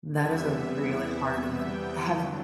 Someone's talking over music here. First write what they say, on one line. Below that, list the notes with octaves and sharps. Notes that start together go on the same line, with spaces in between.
That is a really hard one, have
E2 C3 E3 G3 B3 E5
G5
G2 D3 F#3